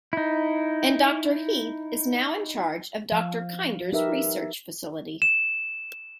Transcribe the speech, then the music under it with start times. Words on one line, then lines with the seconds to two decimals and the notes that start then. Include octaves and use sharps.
And Doctor Heep is now in charge of Doctor Kinder's Research facility.
0.13 D#4 E4
3.12 F3 F5
3.93 D#4 G4 A#4 B4 E5
5.22 E7